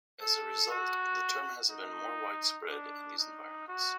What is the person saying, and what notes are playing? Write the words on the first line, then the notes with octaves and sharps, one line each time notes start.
As a result, the term has been more widespread in these environments.
A4
F#4
D#4
D4
D#4
F#4